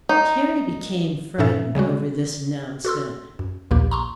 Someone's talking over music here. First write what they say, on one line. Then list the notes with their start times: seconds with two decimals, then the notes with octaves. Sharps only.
Carrie became frightened over this announcement.
0.09 D#4
1.38 G2 A#2 C#4 D#4 A4 E5
1.75 C#3 G3 G#3 F#4
2.85 F#4 A4 C6 E6
3.39 F#2
3.71 A#1 D#2 A#2 A#3 G4
3.91 A#5 C6 C#6